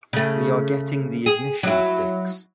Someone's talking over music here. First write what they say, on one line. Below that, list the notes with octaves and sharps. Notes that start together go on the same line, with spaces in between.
We are getting the ignition sticks.
C#3 A3
G#4
F#3 E4